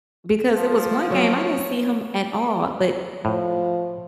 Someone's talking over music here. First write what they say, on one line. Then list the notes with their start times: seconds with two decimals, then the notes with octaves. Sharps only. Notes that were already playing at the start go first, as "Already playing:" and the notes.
because it was one game, I didn't see him at all, but
0.55 F3
1.10 F#3 C#5
3.25 A2 F3